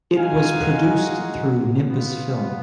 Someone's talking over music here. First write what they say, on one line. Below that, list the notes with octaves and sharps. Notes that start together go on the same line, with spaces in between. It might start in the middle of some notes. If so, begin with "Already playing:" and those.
It was produced through Nimbus Film.
G#3 D#4 F#4 F5 G#5
B3 F4